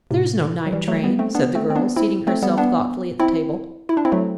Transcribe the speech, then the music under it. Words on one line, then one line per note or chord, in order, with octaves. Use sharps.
"There is no night train," said the girl, seating herself thoughtfully at the table.
A2 C3
F#3
E3 G3
F#3 A3
G3 B3
A3 C4
B3 D4
A3 C4
C4
B3 D4
C4 E4
A3 C4
G3 B3
B3 D4
C4 E4
E4
D4
C4 E4
F#3 A3